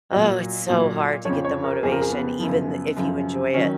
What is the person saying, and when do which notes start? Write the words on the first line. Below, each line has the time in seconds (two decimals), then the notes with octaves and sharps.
oh, it's so hard to get the motivation even th if you enjoy it.
0.11 A#2 F#3 D#5
0.68 A#2 F#3
1.25 F2 C#3 F3 C#5
1.45 C#5
1.64 A#4
1.83 F2 C#3 F3 G#4
1.92 A#4
2.02 G#4
2.11 B3
2.40 F#2 C#3 F3
2.97 F#2 C#3 F3
3.54 D#3 F#3 C#4